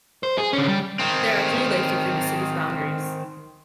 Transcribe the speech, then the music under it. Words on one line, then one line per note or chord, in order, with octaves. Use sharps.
There are three lakes within the city's boundaries.
C5
G#4
D3 C#4
G3
D#3 C4